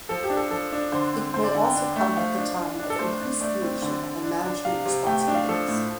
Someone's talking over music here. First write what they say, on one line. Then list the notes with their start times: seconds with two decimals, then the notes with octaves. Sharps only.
It may also come at the time of increased leadership and management responsibilities.
0.09 F3 A4
0.24 G4
0.30 D4
0.37 A4
0.51 F3 A4
0.72 D4
0.92 D3 C5
1.13 C4
1.34 D3 C5
1.44 D5
1.55 D3
1.64 G5
1.75 D4
1.96 A3
2.17 F3 F5
2.38 D4
2.58 D4
2.79 D4
2.90 A4
2.99 A3 C5
3.20 D4
3.41 A3 D5
3.62 C4
3.82 D3
4.04 D3
4.23 D4
4.44 D4
4.65 C3 F5
4.85 C3
5.06 A3 G5
5.21 G5
5.28 D4
5.35 F5
5.49 F3 A4
5.68 A2